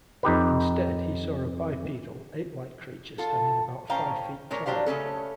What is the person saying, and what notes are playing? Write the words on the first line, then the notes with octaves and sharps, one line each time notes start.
Instead, he saw a bipedal, ape-like creature standing about five feet tall.
F2 D#4 G4 B4
F4 A4
A2 C#4 C5 F5 G5 A#5
A#2 G#3 A#4 C#5
F#3 D4 G4 C5 F5
C#3 A3 C#4 A4